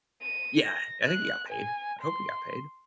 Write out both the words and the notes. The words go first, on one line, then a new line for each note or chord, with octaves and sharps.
Yeah! I think he got paid. I hope he got paid.
D#7
A#6
F#6
G#5
C6